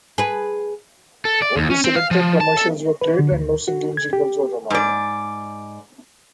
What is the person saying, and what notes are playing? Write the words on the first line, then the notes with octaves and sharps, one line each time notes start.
Only selected commercials were played and no singing jingles were allowed.
G#4 B4
A4
D5
D#2
C#4
C4
F5
F3
A5
A4
B4
D3
D2
F#4
G#6
G4
G#2 D5